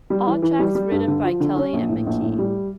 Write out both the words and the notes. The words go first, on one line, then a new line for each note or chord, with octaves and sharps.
All tracks written by Kelly and McKee.
G3
E3
E3
G3
G3
G2
D3
F3
D3
C#4
A#1
A2
A#1
A2
G3